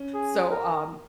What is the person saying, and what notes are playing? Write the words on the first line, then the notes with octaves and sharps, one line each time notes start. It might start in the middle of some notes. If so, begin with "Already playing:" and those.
So, um
Already playing: C#4
G#4
A#4